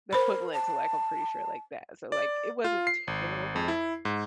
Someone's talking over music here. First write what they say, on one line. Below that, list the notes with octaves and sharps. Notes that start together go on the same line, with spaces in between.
the equivalent to like, I'm pretty sure like that. So like it wasn't terrible,
A#4 C5 B5
A5
D5
F4
C7
G#1
F2
E4
G#2